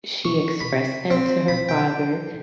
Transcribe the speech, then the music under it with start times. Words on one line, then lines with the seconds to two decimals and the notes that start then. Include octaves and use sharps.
she expressed that to her father,
0.25 C#6
0.61 B5
1.11 C4
1.48 B5
1.69 G5